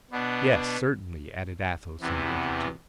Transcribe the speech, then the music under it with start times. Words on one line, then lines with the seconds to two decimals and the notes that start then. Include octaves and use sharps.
"Yes, certainly," added Athos and the other two.
0.11 B2 B3 D4
2.01 E2 C3 E3 B3